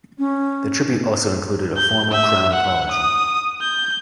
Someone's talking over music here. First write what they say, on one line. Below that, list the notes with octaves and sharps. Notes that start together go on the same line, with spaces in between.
The Tribute also included a formal Crown Apology.
C#4
G6
E5
F#5
D#6
G6